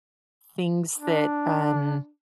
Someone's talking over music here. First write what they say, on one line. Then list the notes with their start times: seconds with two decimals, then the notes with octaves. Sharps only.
things that, um
0.98 D4